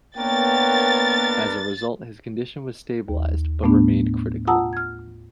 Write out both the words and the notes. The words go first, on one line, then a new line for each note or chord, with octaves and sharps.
As a result his condition was stabilized, but remained critical.
A#3 B3 D4 A#4 B4 C#5 G5 A6
D#2
A2 A3 B3 D4
F4 F#5 A5 A#5 D#6 E6
F6 G#6